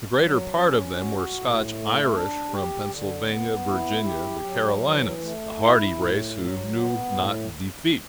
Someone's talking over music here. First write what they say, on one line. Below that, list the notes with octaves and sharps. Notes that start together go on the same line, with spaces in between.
The greater part of them were Scotch-Irish from Pennsylvania, Virginia, the Carolinas--a hardy race, who knew not defeat.
F#3
C#4
F#4
A2
A3
D4
G4
D3
B3
E4
G4
F#3
E3
A3
E4
A2
F#3
B3
A2